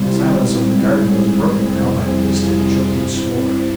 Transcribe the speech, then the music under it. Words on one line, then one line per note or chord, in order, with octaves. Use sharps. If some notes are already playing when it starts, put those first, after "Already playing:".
The silence of the garden was broken now by a distant, choking snore.
Already playing: C3 G3 C4 E4 F4
G#2 G3 C4 E4
G#4
F2 C3 G3 C4 E4
G#4
F4
G2 G3 C4 E4